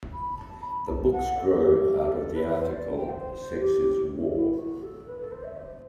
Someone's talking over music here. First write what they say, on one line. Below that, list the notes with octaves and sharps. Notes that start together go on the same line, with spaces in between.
The books grew out of the article Sex Is War!
B5
A5
B5
A5
F#5
A4
G4
G4
A4
B4
C5
D5
G5
C5
G4
E4
F#4
A4
B4
A4
C5
E5
C5